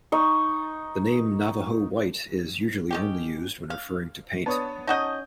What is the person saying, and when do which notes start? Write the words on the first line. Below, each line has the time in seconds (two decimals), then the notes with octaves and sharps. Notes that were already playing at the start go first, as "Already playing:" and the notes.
The name "Navajo White" is usually only used when referring to paint.
0.12 D#4 C#6
2.91 D#3 C#4 G4
3.70 F5
4.46 B3 D4 B4 C#5 A5 D#6
4.87 C#4 D#4 F#4 D#5 A5 D#6 G6